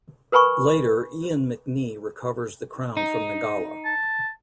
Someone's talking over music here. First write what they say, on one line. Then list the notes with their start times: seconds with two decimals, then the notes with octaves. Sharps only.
Later, Ian McNee recovers the crown from Nagala.
0.32 A#4 B4 G#5 B5 C#6
2.97 D#4
3.85 A5